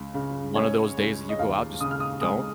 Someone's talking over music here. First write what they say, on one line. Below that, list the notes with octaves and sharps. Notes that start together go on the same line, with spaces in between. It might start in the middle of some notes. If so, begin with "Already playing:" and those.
o one of those days that you go out, just don't
Already playing: C#2
C#3
G#3 C#5
C#2
D#5
D#2 F5
C#3 D#6
F6
D#6
G#3 D#6